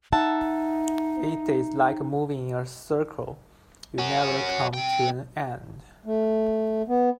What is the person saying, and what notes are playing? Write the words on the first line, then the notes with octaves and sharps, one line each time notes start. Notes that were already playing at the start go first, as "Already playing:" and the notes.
It is like moving in a circle - you never come to an end.
D#4 E5 F#5 A5
C#4 F#4
C3 G5
A3
B3